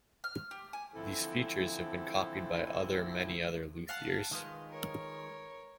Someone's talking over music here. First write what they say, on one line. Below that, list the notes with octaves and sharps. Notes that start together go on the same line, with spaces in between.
These features have been copied by other many other luthiers.
F6
G4
G#5
D3 E3 F3 C4 E4 A4
F5 F#5 A5
D#3 G#3 B3 F4 D#5
A#4 C#5